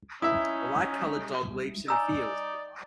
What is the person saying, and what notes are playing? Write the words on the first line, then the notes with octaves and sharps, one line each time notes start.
A light colored dog leaps in a field.
C#4 D#4 E4 E5 D#6
D#4 D5 G#5 A#5 E6